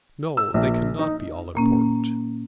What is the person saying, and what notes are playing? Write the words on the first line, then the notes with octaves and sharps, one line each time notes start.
"No; they cannot be all-important."
E6
A#1
D#4
A#2 A#3 C#4